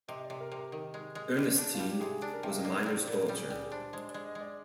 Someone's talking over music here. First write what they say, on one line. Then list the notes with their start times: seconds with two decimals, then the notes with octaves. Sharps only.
Ernestine was a miner's daughter.
0.08 C3 D#5
0.24 D5
0.30 C3
0.40 A#4
0.52 C3
0.57 A#4
0.72 D#3
0.94 G#3
1.15 G#3
1.37 G3
1.58 D4
1.74 G3 F4
1.88 G4
2.00 C3 G#4
2.22 D4
2.33 A#4
2.43 C3 G5
2.51 F5
2.57 D#5
2.65 A#3 D5
2.86 G3
2.97 C5
3.07 A#2
3.13 A#4
3.29 G3 G#4
3.50 G3 G#4
3.72 D4 C5
3.93 G#3 C5
4.09 G#3 D5
4.25 D#5
4.35 G#3
4.41 D5